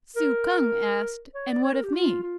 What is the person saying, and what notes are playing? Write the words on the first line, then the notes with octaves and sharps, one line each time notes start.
Tzu-kung asked, And what of me?
A#4
C#5
D5
C#5
A#4
G4
F4
F4